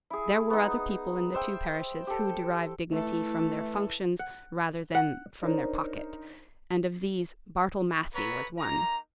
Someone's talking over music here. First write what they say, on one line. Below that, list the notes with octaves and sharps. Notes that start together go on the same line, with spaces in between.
There were other people in the two parishes who derived dignity from their functions rather than from their pocket, and of these Bartle Massey was one.
E4 G#4
B3 D#4
C5 E5 G5
G4 A4
E3 A3 E4 A4
F#5
F#5
D4 D#4 A#4 C5 C#5
B3 A4 B4 C#5 A#5
A#3 D#4 A#5